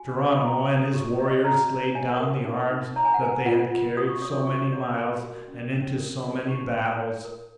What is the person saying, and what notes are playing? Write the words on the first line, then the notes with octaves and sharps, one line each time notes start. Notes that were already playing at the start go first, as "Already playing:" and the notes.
Geronimo and his warriors laid down the arms that they had carried so many miles and into so many battles.
Already playing: F#4 G#5
C5
G#5
F#4 A#5
C5 D#6
D#6
F#4 C#6
C#5 D#5
F#4 A#5
C#5
C#5 G#5
A#4
D#4
D#4
C#5 A#5
G#5
F#5
A#4 G#5
F4 F#5
F4
F#4 D#6
C#6
C#5 D#6
C#6
F#4 C#6
C#5
A#4
F#4
C#4
C#4
A#4
F#4
D#4 C#6
C#5
C#5
A#4